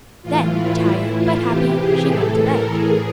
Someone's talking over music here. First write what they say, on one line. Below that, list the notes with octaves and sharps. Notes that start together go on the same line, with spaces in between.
Then, tired, but happy, she went to bed.
A2 E3 F4
E4
A2 E3 E4
F4
C3 E3 G4
G#4
A2 E3 A4
A#4
A2 E3 G#4